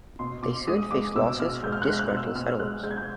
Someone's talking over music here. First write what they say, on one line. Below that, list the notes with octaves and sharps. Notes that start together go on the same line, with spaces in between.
They soon faced lawsuits from disgruntled settlers.
B2 C6
B2 D6
G#3 D#6
G#3 D6
B2 E6
B2 F6
G#3 G6
F6
F#6
G#3
F6
F#6
B2
E6
B2 F6
G#3 F#6
G#3 G6
G#6
G6